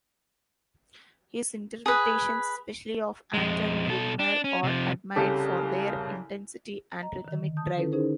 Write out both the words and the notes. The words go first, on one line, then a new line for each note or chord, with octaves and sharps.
His interpretations, especially of Anton Bruckner, are admired for their intensity and rhythmic drive.
G#4 B4
F2 G#3
B2 A4
D4
C#4
C3 F3
C2 C#3 G4 A4 A5
D#5 A#5
D3 D#3
A5 D#6 G6
D3 C#4 E4 A4 B4
C#4 D#4 G#4 A#4 C5